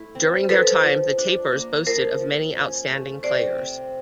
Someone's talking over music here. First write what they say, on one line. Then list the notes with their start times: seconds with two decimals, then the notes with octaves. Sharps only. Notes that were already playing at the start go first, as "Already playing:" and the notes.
During their time, the Tapers boasted of many outstanding players.
Already playing: A3 E4
0.15 C4
0.49 F3 A4 B4
0.83 F3
1.18 D4
1.52 A#3
1.86 F3 A#4 C5
2.21 F3
2.55 C#4
2.89 A3
3.23 C3 C5 D5
3.58 C4